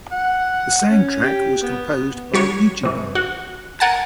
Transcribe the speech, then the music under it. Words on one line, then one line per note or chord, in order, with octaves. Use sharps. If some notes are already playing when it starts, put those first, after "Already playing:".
The soundtrack was composed by Bijibal.
F#5
C#4
G4
B3
G3 F#4 C#5
C3 E3
F#4
A#4 F#5 G#5 A5